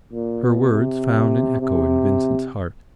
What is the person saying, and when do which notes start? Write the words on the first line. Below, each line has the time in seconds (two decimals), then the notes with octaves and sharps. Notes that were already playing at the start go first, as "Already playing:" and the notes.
Her words found an echo in Vincent's heart.
0.13 A#2
0.43 B2
0.73 C3
1.60 C3